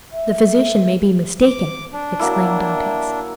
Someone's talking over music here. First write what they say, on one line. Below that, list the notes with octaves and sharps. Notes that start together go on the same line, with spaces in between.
"The physician may be mistaken!" exclaimed Dantes.
E5
D6
D4
F#3 A#3 E4